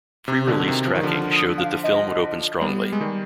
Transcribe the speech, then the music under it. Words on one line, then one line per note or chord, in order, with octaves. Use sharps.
Pre-release tracking showed that the film would open strongly.
C3
B2 D3
C3 D#3
F3
D#3
D3 F3 F6
D#6
F5
D#5
G3 B3
G#3
D#3 G3